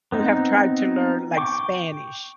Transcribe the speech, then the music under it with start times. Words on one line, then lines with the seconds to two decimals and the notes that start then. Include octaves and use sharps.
who have tried to learn, like, Spanish.
0.12 B3 C4 D#4
1.37 G5 C#6 D6